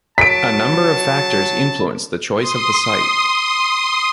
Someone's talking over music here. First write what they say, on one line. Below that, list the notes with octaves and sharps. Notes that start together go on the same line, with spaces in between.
A number of factors influenced the choice of the site.
F#3 A5 B6 D7
C6 D#6